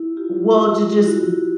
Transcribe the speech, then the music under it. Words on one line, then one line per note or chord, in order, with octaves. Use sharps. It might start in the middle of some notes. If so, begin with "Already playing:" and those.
Well, to just
Already playing: E4
F4 G4
E4 F#4
F4 G4